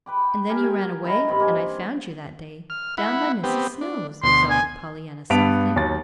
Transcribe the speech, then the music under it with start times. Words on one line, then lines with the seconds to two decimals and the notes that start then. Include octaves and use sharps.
"And then you ran away and I found you that day, down by Mrs. Snow's," exulted Pollyanna, softly.
0.06 B4 G5 D6
0.49 G4 A#4 G5 G#5
0.64 G#5
1.04 D#3 E4 G5 A#5
1.28 G2 D#3 C4 B5
1.40 A#3 G#5
2.70 F6
2.98 E4 F#5 B5
3.44 B3 C4 G4
3.81 D4
4.23 D2 B2 C6
4.50 G#5
5.30 G2 B3 A5 B6 D7 F7
5.76 D#2 F#3 A6